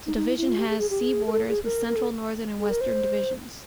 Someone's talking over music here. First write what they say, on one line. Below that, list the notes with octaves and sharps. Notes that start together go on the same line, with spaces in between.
The division has sea borders with Central, Northern and Western Divisions.
D#4
D#4
E4
E4
F4
G4
G#4
G#4
G4
G#4
A#4
A4
G#4
A#4
A#4
A4
G#4
A#4
C5